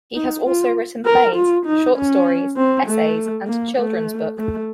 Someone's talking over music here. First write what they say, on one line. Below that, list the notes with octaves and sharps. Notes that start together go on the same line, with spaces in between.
He has also written plays, short stories, essays, and a children's book.
D#4
F4
A#4
F4
D#4
C#4
C4
A3
A#3
A3
A3